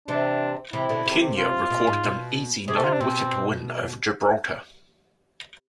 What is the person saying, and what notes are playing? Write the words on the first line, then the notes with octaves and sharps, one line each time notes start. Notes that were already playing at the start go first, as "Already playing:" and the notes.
Kenya recorded an easy nine-wicket win over Gibraltar.
C3 E3 D4
C3 E3 E4
B2 D3
C3
F4
B2
G#2
B2
C3 G#4
A4
F4
D4
B2 C4